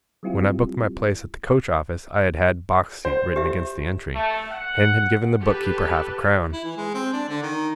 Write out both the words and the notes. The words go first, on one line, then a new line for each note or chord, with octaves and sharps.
When I booked my place at the coach office I had had 'Box Seat' written against the entry, and had given the book-keeper half-a-crown.
F#3 G3 C4 E4 F4 G4
C5
G4 E5
A3
F#5
G4 A4 B4
E4
E3
G#3
C4
D4
D3
D#3